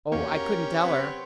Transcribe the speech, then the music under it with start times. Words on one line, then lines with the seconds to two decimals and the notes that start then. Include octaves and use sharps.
"Oh, I couldn't tell her."
0.12 E2 A#3 C#4 F#4 G4 C#5
0.33 A#4
0.81 C3 F#3 B4